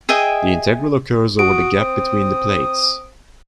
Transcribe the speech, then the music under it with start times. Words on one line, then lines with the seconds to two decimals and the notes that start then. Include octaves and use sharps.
The integral occurs over the gap between the plates.
0.09 G#4 D#5 E5 G5
1.39 F#4 D#6 D7
1.77 C4